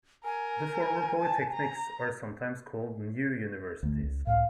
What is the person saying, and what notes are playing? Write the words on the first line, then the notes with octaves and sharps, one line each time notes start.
The former polytechnics are sometimes called new universities.
A#4 G#5
A5
A#5
D2 A3
C#2
C#2 A2 F5